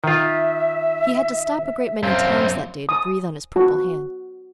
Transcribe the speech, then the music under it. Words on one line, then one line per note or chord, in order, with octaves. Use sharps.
He had to stop a great many times that day to breathe on his purple hands.
D#3 F4 E5
F#2 C4 F5
D#6
F#4